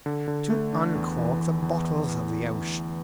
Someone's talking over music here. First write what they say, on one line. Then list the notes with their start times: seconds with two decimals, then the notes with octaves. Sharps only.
"To uncork the bottles of the ocean."
0.06 D3
0.28 D3
0.50 A3
0.73 D4
0.95 E2
1.18 E3
1.40 E2
1.62 E2